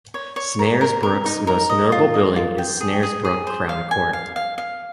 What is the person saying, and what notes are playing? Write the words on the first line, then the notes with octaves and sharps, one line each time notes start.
Snaresbrook's most notable building is Snaresbrook Crown Court.
C#5
C#5
A#4
A#4
A#4
D#4
A#4
D#5
F4
D#5
F4
G5
G#4
G#4
G#4
C5
F5
G#5
F5
F5
F5